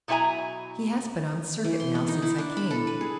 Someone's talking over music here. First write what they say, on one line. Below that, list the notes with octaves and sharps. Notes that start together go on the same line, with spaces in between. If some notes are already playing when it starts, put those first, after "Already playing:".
He has been on circuit now since I came.
B2 F#3 E4 C#5 G#5 A#5
E3
C6
B3
D#4
E4
D4
B5
A4
B4
G#4